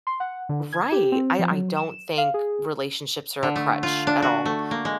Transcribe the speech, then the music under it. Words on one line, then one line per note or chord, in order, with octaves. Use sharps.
Right, I I don't think relationships are a crutch at all.
C6
F#5
D3
G#6
G4
C4
F3
F#3
E7
F5
G#4
D3
A3
F4
D4
F#4
A3
A#3
G#3